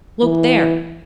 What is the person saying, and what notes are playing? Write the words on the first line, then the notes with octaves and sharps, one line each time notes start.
Look there!
E3